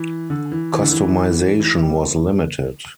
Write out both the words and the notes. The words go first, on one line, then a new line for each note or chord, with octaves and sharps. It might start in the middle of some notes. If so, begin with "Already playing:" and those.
Customization was limited.
Already playing: E3
D3
E3
E3
D3
E3
E3
G3